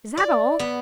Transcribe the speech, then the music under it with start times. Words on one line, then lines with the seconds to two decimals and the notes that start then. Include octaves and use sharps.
"Is that all?"
0.17 D5
0.59 B3